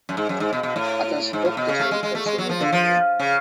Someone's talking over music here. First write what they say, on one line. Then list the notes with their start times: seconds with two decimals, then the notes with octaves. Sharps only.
Others hope to change consumer behavior.
0.09 F#2
0.17 G#2
0.29 F#2
0.40 G#2
0.53 B2
0.63 B2
0.76 A2
1.33 G#2
1.45 A2
1.57 B2
1.68 C#3
1.79 A3
1.91 G#3
2.03 G#3
2.15 A3
2.26 G#3
2.38 F#3
2.49 F3
2.60 D3
2.72 F3
3.20 C#3